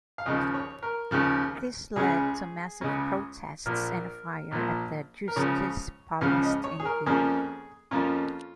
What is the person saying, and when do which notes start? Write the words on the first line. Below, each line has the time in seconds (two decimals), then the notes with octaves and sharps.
This led to massive protests and a fire at the "Justizpalast" in Vienna.
0.18 F5
0.26 D#2 C#3 F3 D#5
0.54 C#5
0.83 A#4
1.11 D#2 C#3 F3
1.96 C#2 C#3 G#3 C#4 G#4
2.81 C#2 C#3 G#3 C#4
3.66 A#1 A#2 F3 A#3 A#4
4.51 A#1 A#2 F3 A#3
5.28 A#4
5.36 C#2 C#3 F3 C#4 C#5
6.21 C#2 C#3 F3 C#4 F5
6.43 D#5
6.64 C#5
6.80 G#4
6.85 A#4
7.06 F2 F3 A#3 C#4 G#4
7.91 F2 F3 A#3 C#4 F4